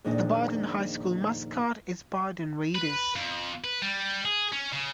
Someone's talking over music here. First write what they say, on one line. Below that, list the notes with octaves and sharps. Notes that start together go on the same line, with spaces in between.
The Burden High School mascot is Burden Raiders.
F2 A#2 D#3 G#3 D4
B4
F2
B4
G3
G#4
C#4
C#3